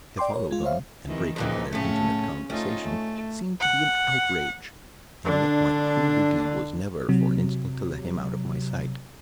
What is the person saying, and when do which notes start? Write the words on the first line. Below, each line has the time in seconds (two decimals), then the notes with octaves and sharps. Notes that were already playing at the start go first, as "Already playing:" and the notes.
To follow them and break into their intimate conversation seemed to be an outrage, and yet my clear duty was never for an instant to let him out of my sight.
0.18 D5 G5 C6 D6
0.34 A#4 C#5
0.51 G#3 F4
0.64 C5 C#5 E5 F5
1.07 C3 D#3 E3
1.36 F2 A#2 C#3 E3 F3 D#4
1.72 A2 C#3 A3 C#4
2.50 A3 C#4 D#4 F4
2.80 A3
3.61 F#5
5.25 D3 D4
7.09 C3 F#3